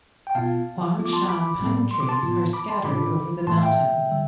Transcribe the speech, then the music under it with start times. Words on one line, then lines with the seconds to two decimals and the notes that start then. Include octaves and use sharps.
Huangshan pine trees are scattered over the mountain.
0.27 G5
0.35 B2 B3 F4 F5 A5
0.97 F3 B3 F4
1.06 D6
1.13 A5 C6
1.29 B5 D6
1.60 A2 G3 C4
1.91 C6
2.00 D6
2.09 A5 C6
2.22 A2 F3 B3 F4
2.53 B5 D6
2.69 A5 C6
2.84 A2 G3 D4 F4 B5 D6
3.47 A2 E3 A3 A5 C6
3.57 F5
3.63 E5 G5
4.09 D3 G3